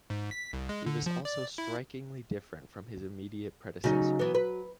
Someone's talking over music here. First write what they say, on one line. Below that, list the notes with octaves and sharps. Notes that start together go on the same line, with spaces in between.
He was also strikingly different from his immediate predecessor.
G#2
B6
C2
G#3
D3
F3
D5
E4
C#3 F#3 D#4
E3 B3
B4